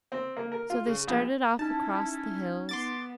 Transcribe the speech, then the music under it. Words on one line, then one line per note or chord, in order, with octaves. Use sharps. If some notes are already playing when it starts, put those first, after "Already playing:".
So they started off across the hills.
C4
A#3
A#4
F4
C#3
A#1
C#4 D#4 E4 A5
B3 C6 D6 A6